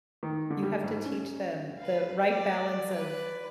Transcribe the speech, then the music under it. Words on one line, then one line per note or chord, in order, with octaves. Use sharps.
You have to teach them the right balance of
D#3
D3
G3
G#2
C#4
B4 F5
D5
B4 D5